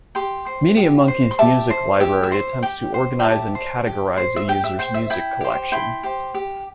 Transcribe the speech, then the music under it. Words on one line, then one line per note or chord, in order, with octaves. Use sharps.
MediaMonkey's music library attempts to organize and categorize a user's music collection.
G4 G5 C6
C5
G4
C5
C6
G4 E5 A5
C5
G4 E5
E5
C5
G4 G5
C5
G5
G4 E5 A5
C5
G4
C5
E5
G4 G5
E5
C5 G5
E5
E4 G5
G4 C5
E4 G5 C6
G4 C5
G4